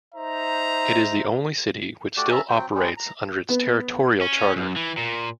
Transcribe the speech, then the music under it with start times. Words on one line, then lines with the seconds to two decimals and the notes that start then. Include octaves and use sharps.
It is the only city which still operates under its territorial charter.
0.15 D#4 C5 E5 A#5
2.17 A3 F#4 G4 D5
2.30 C#4 E5 A5 A#5
2.49 F#3 C4 G5
2.75 G3 G#3 C#4 D#4
2.97 A#5
3.49 B3
4.22 C#4
4.56 F#2
4.76 E3
4.98 A#2